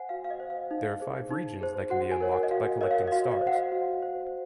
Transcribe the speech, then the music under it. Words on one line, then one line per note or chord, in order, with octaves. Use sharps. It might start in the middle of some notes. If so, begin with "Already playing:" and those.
There are five regions that can be unlocked by collecting stars.
Already playing: C5 F#5 G#5
F#4 F5
F5
D#5
C5
F5
D#4
G#4 C5
D#4
G#4 C5
F#4 F#5
G#5
A#4 C#5
F#5
D#5
F#4 F5
A#4 C#5 D#5
F5
D#5
F#4 F5
D#5
C5
F#5
F5
F#4
C5